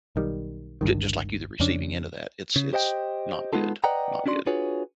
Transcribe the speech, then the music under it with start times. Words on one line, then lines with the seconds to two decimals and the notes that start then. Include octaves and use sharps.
ju just like you, the receiving end of that, it's it's not good, not good.
0.16 B1 D#3 G3
0.81 G1 C#2 G2 D#3
1.60 F2 C#3 C#4 D4
2.56 C#3
2.73 G4 C5 D#5 F#5 G5
3.53 G#3 B3 D#4 F4 A4
3.84 B4 D5 D#5 F#5 G5 A#5
4.26 C#4 D4 F#4 D5 C6
4.46 D4 F4 F#4 G#4 B4 C#5